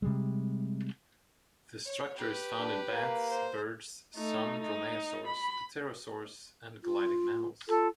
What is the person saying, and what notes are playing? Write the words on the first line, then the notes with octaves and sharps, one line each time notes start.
The structure is found in bats, birds, some dromaeosaurs, pterosaurs, and gliding mammals.
C3 G3 G#3
C#5
G4 B4
D4
A#3
C5
A3 D#4
D#4
B5
F4
F4 A4